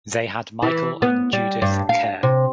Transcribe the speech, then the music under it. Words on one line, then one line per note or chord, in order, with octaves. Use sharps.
They had Michael and Judith Kerr.
E3
B3
G3
G2
F5
C3